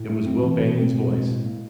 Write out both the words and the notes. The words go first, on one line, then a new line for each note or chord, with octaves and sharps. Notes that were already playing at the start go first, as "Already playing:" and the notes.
It was Will Banion's voice.
Already playing: A2
A3
C4
E3
B2
C4
B2
G#3
A2
A#3